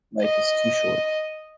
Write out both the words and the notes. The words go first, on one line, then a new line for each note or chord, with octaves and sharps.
Life is too short.
D#5